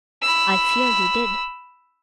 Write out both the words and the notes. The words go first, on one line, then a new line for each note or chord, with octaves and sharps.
I fear he did.
B5 E6